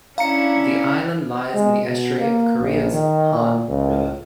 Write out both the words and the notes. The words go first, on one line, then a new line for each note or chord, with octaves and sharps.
The island lies in the estuary of Korea's Han River.
C#4 D4 E4 F5 A#5 C#7
G#3
B2
A#3
A#1
D#3
A#2
C#2